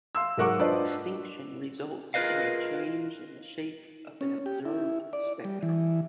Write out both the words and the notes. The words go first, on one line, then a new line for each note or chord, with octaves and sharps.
Extinction results in a change in the shape of an observed spectrum.
F5 C6 E6
G#2 F#3 A#4 F#5 C#6 D6
D4 F4 B4 C5 D5 D#5
F4 G#4 A#4 B4 D#5 F5
C#4
G4
E4
D5
G3
E3